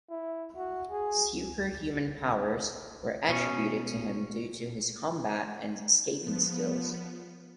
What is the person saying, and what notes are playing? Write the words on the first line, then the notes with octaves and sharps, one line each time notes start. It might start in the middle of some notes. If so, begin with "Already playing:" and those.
Superhuman powers were attributed to him due to his combat and escaping skills.
E4
F#4
G#4
B2 C#4
F3 B3